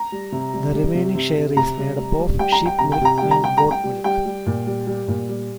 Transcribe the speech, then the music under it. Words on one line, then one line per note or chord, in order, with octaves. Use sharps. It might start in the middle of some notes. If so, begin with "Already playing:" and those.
The remaining share is made up of sheep milk and goat milk.
Already playing: A#5
G3
C3
G3
G3
C3
C3
C3
C3 A#5
G3
G3
G3
G3 G5
A#5
G3
G5
C3 A#5
G5
C3 A#5
G3 G5
A#5
G3 G5
A#5
G3
G5
G3
G3 G5
G3
A#2
G3
G3
A#2
G3